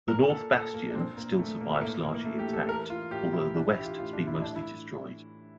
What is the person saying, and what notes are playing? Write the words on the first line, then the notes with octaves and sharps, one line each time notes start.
The north bastion still survives largely intact, although the west has been mostly destroyed.
A#2 A#4
A#2 A4
A#2 A4
A#2 A#3
D4
A#2 C4
A#2 A#3
A#2 A3
A#2 A#3
A3
A2 A#3
E3 A#3
A#3
E3 A3
G4
E3
A4
E3 A#4
E3 F4
A2 G4
E3 E4
E3 D4
E4
E3 G4
F4
A2 F4
D4
E3
E4
A2 D4
E4